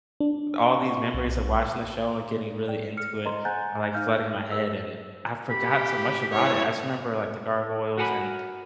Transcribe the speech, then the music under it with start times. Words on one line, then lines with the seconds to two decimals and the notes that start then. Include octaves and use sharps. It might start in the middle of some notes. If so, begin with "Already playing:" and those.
all these memories of watching the show and getting really into it are, like, flooding my head, and I forgot so much about it. I just remember, like, the gargoyles and,
0.20 D4
0.71 C#6
1.14 B1
2.68 D5 G5
2.97 F6 C#7
3.25 C5 D#5 A#5 C6
3.45 F#5 G#5 A#5 F#6 G6 A6
3.94 D#4 F5 F6 G6
4.52 G#4 A#4 E6
5.51 G4 B5
6.33 E4 C#5
7.97 F#4 A#4 F#5 G#5 A5 B5